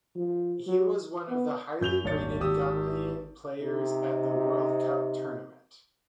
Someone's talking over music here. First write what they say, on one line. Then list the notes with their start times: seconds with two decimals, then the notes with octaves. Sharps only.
He was one of the highly rated Ghanaian players at the World Cup tournament.
0.15 F3
0.67 F#3
1.29 B3
1.81 F#2 G6 F7 G7
2.04 D#1 G#1 C#5 D5 A6 C#7
2.40 G#1 G4 D#6 E6
3.61 C3 D#4